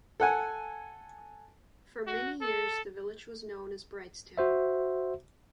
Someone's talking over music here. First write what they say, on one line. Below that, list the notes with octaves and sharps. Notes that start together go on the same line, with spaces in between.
For many years, the village was known as "Brightstown".
A4 F#5 G#5
F#4
A4
F#4 C5 E5